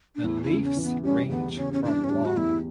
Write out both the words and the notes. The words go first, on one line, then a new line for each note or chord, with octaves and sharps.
The leaves range from long.
D4
E2 E4
E4
C#3
C#4
E3
B3
G3 C#4
E2 B3
C#3 C#4
C#4
E3 D4
C#4
G3 D4
F#4
E2 E4